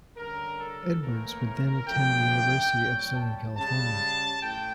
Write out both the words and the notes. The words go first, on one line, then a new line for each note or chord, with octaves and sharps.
Edwards would then attend the University of Southern California.
D3 G3 C#4 A#4
A4
A2 E3 A#3 C#4 A#4
C#3 F3 A3 D4 G5
A#2 G3 C#4
A5
C#3 G3 C#4 A5
A2 G5